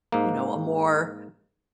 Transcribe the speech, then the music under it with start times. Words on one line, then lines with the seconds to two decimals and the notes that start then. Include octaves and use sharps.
you know, a more
0.12 G#2 A#3